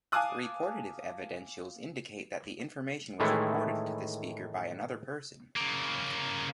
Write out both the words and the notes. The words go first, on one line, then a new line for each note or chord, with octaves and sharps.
"Reportative" evidentials indicate that the information was reported to the speaker by another person.
F5 G#5 A5 D6 D#6 F#6
A2 D#3 E3 G#3 A3 E4
C#3 A#3